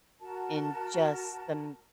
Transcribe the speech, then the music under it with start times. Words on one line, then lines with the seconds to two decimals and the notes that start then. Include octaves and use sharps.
in just the m
0.20 F#4 A#4 A5